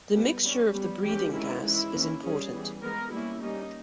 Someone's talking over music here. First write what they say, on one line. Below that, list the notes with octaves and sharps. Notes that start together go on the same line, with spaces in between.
The mixture of the breathing gas is important.
G3 B3
G3 C#4
G3 B3
E3 G#3 C#4 G4
D#3 G#3 C#4 E4
E3 G#3 C#4 E4
E3 A#3 C#4
G3 C#4 G#4
E3 G3 B3
E3 G#3 B3 A#4
G3 A#3 C#4 E4
G3 A#3 C#4 D#4